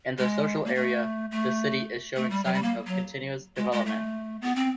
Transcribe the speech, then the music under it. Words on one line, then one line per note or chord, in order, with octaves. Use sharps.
In the social area the city is showing signs of continuous development.
G#3
A#3
A3
A3
A3
G3
F#3
G3
A#3
F#3
G#3
G#3
A3
B3
C4